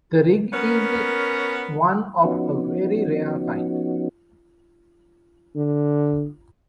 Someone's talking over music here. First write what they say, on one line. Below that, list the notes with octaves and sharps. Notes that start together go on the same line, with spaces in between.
The rig is one of a very rare kind.
B3 C#4 A#4
F3 B3 C#4 D#4 F#4
D3